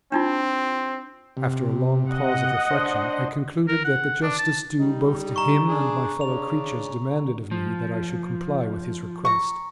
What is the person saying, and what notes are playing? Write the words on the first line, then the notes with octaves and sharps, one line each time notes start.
After a long pause of reflection I concluded that the justice due both to him and my fellow creatures demanded of me that I should comply with his request.
C4 D4 D#4 F4
C3
D#5 F#5
D4 C5
A#4
F#5
D4
A5
G3 D#4
A#5 C#6
D4 G#4
C#3 D4 F7
F3
A#5 C#6